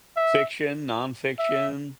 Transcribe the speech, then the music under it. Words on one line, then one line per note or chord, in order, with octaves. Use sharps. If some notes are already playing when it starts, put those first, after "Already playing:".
Fiction, nonfiction?
E5
E5